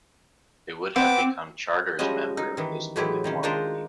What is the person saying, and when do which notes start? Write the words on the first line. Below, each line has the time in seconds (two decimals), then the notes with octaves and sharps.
They would have become charters member of this newly formed league.
0.96 B3 C4 C5 D6
1.99 F3 G3 G#3 C#4 F#4 D#5
2.37 D#4
2.57 D#3 E3
2.96 A2 E3 F#3 G#3 E4 G4
3.24 C3 D#3 C#4
3.43 D#3 G#3 D4 F4 A#4 C5